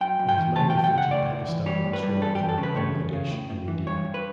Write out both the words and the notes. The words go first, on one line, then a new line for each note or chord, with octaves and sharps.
It has mainly featured Pakistan, Sri Lanka, Bangladesh, and India.
F#2 G5
F#2
G5
E3
A3 A5
G5
F#2
G5
C#3 F#5
A2 D5
A2
E3
G3 C#5
A2
B4
G3
E2 A4
E2 G4
A4
C#3
B4
A3 C#5
E2
C#3
A2
A2
E3
G2 C#5
G2
B4